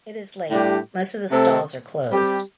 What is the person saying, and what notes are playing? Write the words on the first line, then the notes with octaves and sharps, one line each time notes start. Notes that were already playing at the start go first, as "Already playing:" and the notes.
It is late; most of the stalls are closed.
A2 G3 D4 G4
C3 A3 C4 A4
G3 C4 G4